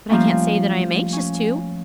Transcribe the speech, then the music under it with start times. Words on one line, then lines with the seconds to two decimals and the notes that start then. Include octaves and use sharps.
But I can't say that I am anxious to.
0.09 F3 G3 A3 A#3 C#4
1.13 C#4